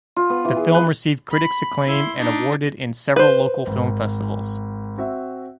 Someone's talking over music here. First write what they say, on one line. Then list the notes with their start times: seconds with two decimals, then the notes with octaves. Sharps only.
The film received critics acclaim and awarded in several local film festivals.
0.16 F4
0.30 B3
0.45 E3
0.57 G#4
0.74 B4
1.30 B5
1.87 E4 C6
2.19 D4 D#4
3.16 B4 C5
3.67 G#1
4.98 C4 F#4 E5